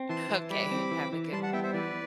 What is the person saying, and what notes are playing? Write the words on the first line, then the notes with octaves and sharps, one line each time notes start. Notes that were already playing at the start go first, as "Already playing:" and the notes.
Okay, h have a good one.
Already playing: C4
E3 A5 C6
E3
G3 B5 D6
C4
E3
E3
G3 A5 C6
F#5 A5
B3 E5 G5
C5 E5
E3 B4 D5